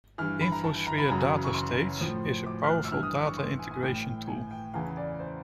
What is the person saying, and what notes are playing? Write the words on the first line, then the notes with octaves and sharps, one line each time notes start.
InfoSphere DataStage is a powerful data integration tool.
G2 E3 F6
B5
A#5
A5
A#5
B5
F#2 C#3 E3 A#5
C#6
C6
A2 F3
D6
F6
F#6
E6
G2 E3 F6
D#6
D6
C#6
C6
G#5
G#5
A2 E3 G5
G#5
G5
E2 C#3 E3 F5
D5
C5